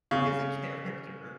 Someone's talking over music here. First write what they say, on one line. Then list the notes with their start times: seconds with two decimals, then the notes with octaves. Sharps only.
because of character.
0.11 C#3